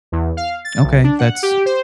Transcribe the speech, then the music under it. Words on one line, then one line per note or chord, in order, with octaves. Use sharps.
Okay, that's
E2
F5
A6
B1
D4
F#5
G4
C5